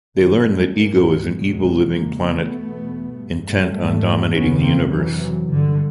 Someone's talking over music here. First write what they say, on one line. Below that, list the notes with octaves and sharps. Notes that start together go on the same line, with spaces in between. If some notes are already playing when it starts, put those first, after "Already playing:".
They learn that Ego is an evil living planet intent on dominating the universe.
G2 D#3 F3
G3 A3
G#2 G#3 A#3
E2 B2 F#3 G#3
E2 C#3 G#3 A#3
A3 B3
E2 B2
G2
G3 A3
G#2
F#2 C#3 B3 C#4
A#3 C4
F2 C3 E3 F#3
G2 D3